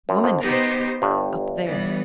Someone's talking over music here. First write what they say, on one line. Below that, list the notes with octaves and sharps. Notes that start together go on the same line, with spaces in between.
"Woman Country--up there."
F#2
F2
B3 D#4 G4 C5
G1 G2
E3 G3 B3